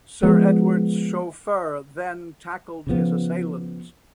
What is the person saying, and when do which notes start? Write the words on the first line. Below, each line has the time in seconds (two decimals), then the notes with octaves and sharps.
Sir Edward's chauffeur then tackled his assailant.
0.23 F3 G#3 B3
2.87 C#3 F3 B3